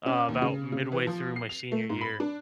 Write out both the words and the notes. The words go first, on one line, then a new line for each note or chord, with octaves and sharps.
uh, about midway through my senior year.
C#4
D#2
C#3
C#3
E3
F3
C7
F7
A3
G#2
B5
D4